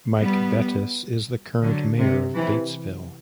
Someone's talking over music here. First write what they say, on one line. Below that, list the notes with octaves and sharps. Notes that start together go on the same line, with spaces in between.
Mike Bettice is the current mayor of Batesville.
G3 B3
D3 F#3
C3
C3 E3